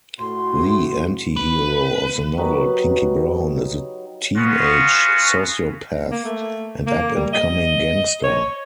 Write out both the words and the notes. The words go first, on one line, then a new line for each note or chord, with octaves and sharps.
The antihero of the novel, Pinkie Brown, is a teenage sociopath and up-and-coming gangster.
A2 F#4 C6
B4
F#3 D#4 G4 B4
B3 C#4 F4 F#4
A#3
A3
A#3
G3
D#5
C#5